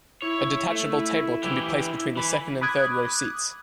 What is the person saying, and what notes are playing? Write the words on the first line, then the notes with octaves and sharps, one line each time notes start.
A detachable table can be placed between the second and third row seats.
E4 C#5
A3
E4
E3 G4
E3 B5
B5 D6 D#6 F#6 G#6